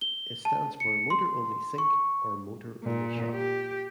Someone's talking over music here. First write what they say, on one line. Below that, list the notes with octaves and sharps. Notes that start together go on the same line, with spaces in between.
It stands for "motor only sync" or "motor only shot".
G7
A5
C#7
C6
C#6
A#2
G4